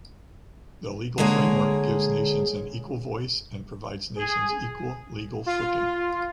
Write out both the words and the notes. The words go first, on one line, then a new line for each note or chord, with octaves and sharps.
The legal framework gives nations an equal voice and provides nations equal legal footing.
D3 G#3 A#3 G#4 C#5
G#4
F4